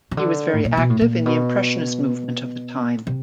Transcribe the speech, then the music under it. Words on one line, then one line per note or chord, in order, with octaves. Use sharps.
He was very active in the Impressionist movement of the time.
C#3
D3
A2
A#2
B2
A2
A#2
B2
C3